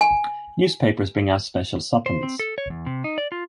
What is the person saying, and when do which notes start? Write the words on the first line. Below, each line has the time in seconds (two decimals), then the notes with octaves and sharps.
Newspapers bring out special supplements.
0.01 G#5
2.06 C5
2.23 C4
2.39 A4
2.58 C#5
2.70 E2
2.86 C3
3.04 D#4
3.18 D5
3.32 F4